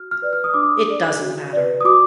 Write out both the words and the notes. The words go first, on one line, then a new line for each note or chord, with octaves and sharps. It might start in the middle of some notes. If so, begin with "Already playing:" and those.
It doesn't matter.
Already playing: F#4 F6
F6
B4 D5
F6
D#6
D4 D6
D#6
G#4 D5
F#4
B4 D5
D#6
F#4 D6